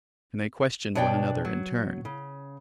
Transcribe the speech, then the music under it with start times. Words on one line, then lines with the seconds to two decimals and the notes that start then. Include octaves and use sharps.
And they questioned one another in turn.
0.95 B2 D4 C#5 D5 G5
1.45 F#3
2.05 C#3